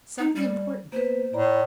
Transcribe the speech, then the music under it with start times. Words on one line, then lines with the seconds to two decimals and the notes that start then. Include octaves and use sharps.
"Something important."
0.18 D#4
0.36 G3
0.92 A#3 B3 B4 C5
1.33 A2 D5 A#5 B5